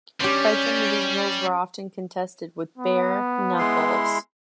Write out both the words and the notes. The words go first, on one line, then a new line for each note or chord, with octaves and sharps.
Fights under these rules were often contested with bare knuckles.
G3 C#4 G4 C6
B3
G#3 E4 C6